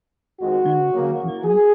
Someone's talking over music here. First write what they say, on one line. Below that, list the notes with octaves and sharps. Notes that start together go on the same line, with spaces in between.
Mm, mhm.
F2 D#3 G#3 C4 F#4
C#3 F#3 A#3 C#4
G#4